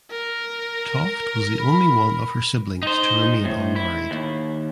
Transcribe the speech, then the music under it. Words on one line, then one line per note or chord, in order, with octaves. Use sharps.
Toft was the only one of her siblings to remain unmarried.
A#4
B5
D#4 C5
A2
E4
D#2